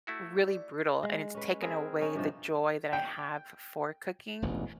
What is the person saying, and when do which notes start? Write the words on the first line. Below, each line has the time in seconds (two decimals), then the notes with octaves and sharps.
really brutal, and it's taken away the joy that I have f for cooking,
0.07 A3 E4 F#4
0.48 D5
1.03 G#3
1.35 C#4 B4
1.61 C4 G#4 A#4 B4
2.01 C#4 D#4
2.15 G2 C3 F3
2.93 G5
4.42 E1 A1 D2